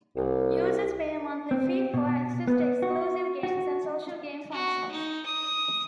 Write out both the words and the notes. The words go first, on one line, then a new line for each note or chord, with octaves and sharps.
Users pay a monthly fee for access to exclusive games and social game functions.
C2
C4
B2
B3
F#4
F#4
F#4
D#4
D#6